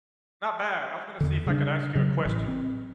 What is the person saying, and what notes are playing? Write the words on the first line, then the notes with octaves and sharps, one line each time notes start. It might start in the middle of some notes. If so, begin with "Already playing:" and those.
Not bad. I was gonna see if I could ask you a question.
E2 D3
C#3 G3 D4
C#3 F#3
A1
C4